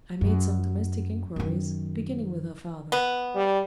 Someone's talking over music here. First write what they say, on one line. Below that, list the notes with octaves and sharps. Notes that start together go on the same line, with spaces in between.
I made some domestic inquiries, beginning with her father.
F#2
F#2 D#3
B3
G3